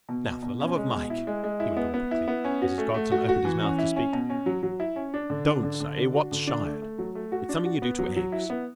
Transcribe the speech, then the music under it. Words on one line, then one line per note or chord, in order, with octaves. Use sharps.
Now, for the love of Mike," he went on quickly, as his godson opened his mouth to speak, "don't say 'What's shirred?' It's something you do to eggs.
B2
B2
B2
C#4
G#3
B2
E4
G#3
G#3
E4
B3
B3
E4
B3
C#4
F#4
A3
A3
F#4
F#4
E3
C#4
E4
C#4
B2
C#4
F#3
F#3
E4
C#4
D4
D3
D4
D3
D3
D4
F#4
D3
D4
A3
A3
F#3
A3
F#4
D4
F#4
B3
F#3
F#3
E4
B3